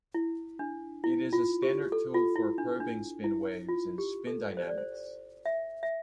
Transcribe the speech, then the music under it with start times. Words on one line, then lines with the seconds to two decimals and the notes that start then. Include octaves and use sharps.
It is a standard tool for probing spin waves and spin dynamics.
0.14 E4
0.59 D4
1.04 E4
1.33 F4
1.62 G4
1.92 A4
2.14 F4
2.36 E4
2.58 D4
2.80 D4
3.24 E4
3.69 F4
3.98 G4
4.27 A4
4.57 C5
4.67 D5
4.78 C5
5.46 E5
5.83 E5